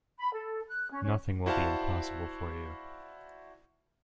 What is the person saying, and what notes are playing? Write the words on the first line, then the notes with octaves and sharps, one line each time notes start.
Nothing will be impossible for you.
B5
A4
F#6
C#4
C#4
E4 F#4 C5 D5 F5 A5